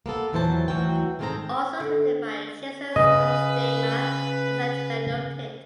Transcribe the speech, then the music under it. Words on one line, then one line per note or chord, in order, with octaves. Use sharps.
All songs written by Jason Stollsteimer except where noted.
A#3 B3 A4
E2 A#2 E3 F#3 C5 A5
D2 D#3 E3 F#3 F#4 G5
G#2 D#3 G#3 C4 A4 A#5
D3
C#3 B4 D#5